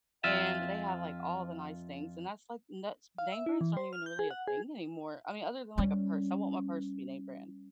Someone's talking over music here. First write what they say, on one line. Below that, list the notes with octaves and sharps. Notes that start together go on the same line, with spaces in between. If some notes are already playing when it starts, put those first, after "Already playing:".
And they have, like, all the nice things, and that's, like and that's name brands aren't even really a thing anymore, I mean, other than, like, a purse. I want my purse to be name brand,
F2 F4 E5
F5
E5
E4
E3
C5
F6
G6
G#4
F#5
G#4
G3 C#4